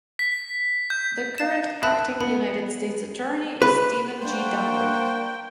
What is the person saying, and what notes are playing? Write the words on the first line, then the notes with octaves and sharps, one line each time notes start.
The current Acting United States Attorney is Stephen G. Dambruch.
B6
G6
F5 A6 E7
E5 A5 B5 F#6
B3 B5
B4
A#3 D4 C5 F#5 G5 C#6